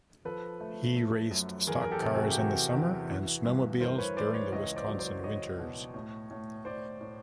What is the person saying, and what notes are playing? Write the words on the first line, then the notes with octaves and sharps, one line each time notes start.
He raced stock cars in the summer and snowmobiles during the Wisconsin winters.
F3 A4 B4
A3
A3
F#2
E2 G#4 A#4
A#4
G4 A4
C3
F#4 G#4
G4
E2 F#4 G#4
E2
E3
G2
E3 A#4 C5
B4 C#5
E3 C5 D5
B4 C#5
C#2 C#5 D#5
C5 D5
F#3
C5 D5
F#3 C#5 D#5
B2
A2
A2
A2 C5 D5
A2